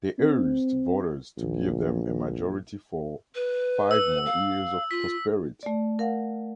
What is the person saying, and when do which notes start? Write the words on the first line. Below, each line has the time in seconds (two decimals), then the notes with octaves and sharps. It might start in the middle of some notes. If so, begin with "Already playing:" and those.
They urged voters to give them a majority for "five more years of prosperity".
0.19 C4
1.38 A#1
3.35 B4
3.91 E6
4.25 F5
4.91 F4 B6
5.63 A3 D5
5.99 A#4 F5 F#5